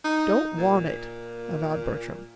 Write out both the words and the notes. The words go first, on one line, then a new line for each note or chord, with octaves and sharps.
"Don't want it," avowed Bertram.
D#4
A#2